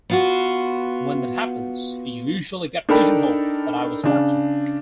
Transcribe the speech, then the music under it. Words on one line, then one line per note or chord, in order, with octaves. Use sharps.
When that happens, you usually get pigeonholed, but I was fortunate.
B3 F4 F#4
D4 D#4 A4 A#4 G5 B5
C#3 D4